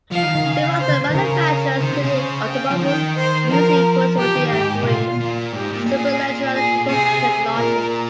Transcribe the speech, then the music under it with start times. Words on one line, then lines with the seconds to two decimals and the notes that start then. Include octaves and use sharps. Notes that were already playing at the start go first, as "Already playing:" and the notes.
Several other manufacturers created automobiles using Carozzeria Touring's superleggera construction technology.
0.11 F3 F5
0.23 D#3
0.35 D#3
0.45 C#3
0.80 C5
1.10 D#3
1.13 C#3 A#4
1.81 D#3 C5
1.93 C3
2.03 C#3
2.16 C5
2.48 G5
2.71 F3
2.82 D#3 G5
3.16 C5
3.50 F3 A#4
4.18 F3 G4
4.35 D#3
4.51 G#2 G4
4.82 C3
4.85 A#2 F4
5.20 A#2
5.52 G#2 G4
5.70 A#2
5.86 A#2 G#4
6.55 G#4
6.88 C3 G#4
7.55 A#2 A#4